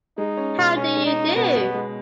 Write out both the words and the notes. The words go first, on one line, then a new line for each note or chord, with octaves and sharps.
How do you do!
G#3 D#4
C#4
B2
B2 C#4
G#3
D#4
C#4
B2 B3
B2
G#3